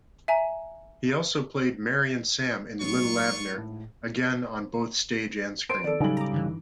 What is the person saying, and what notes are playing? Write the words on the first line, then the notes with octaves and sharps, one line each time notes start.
He also played Marryin' Sam in "Li'l Abner", again on both stage and screen.
E5 G#5 A#5
A1 G#2 F#3 F4 C#6
A2
B4 C5 A5 D7
D#3 A4 D5
A2 C#3 F#3 G3 D#4 F#7
A#5 D6
G2 D3 E3